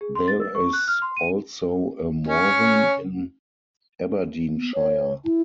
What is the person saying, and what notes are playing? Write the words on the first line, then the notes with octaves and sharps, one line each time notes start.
There is also a Morven in Aberdeenshire.
G#4
C6
A6
E6
C#6
F#6
F6
C6
D#7
C#4 C#5
B3
C#5
E4